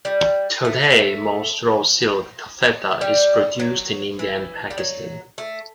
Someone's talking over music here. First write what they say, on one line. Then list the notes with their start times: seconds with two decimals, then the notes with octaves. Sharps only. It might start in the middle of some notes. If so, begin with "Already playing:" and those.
Today most raw silk taffeta is produced in India and Pakistan.
0.05 G3
0.65 A3
3.01 G3
3.59 F#3
4.19 E3
4.70 G3
4.78 F#3
5.38 A3